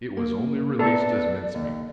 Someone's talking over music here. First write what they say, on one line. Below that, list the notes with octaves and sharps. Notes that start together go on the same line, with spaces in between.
It was only released as mince-meat.
A#3
B3 A4 D5 A5 A#5
D#2